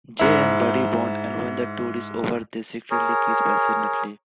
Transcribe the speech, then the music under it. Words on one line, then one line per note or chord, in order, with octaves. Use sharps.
Jay and Buddy bond, and when the tour is over they secretly kiss passionately.
G#2 E4
G#4 A#4 C#5